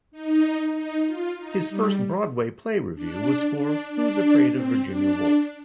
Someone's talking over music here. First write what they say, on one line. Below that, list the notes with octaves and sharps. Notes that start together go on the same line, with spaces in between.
His first Broadway play review was for Who's Afraid of Virginia Woolf?
D#4
D#4
F4
D#4
G3
D4
D4
D4
C4
D4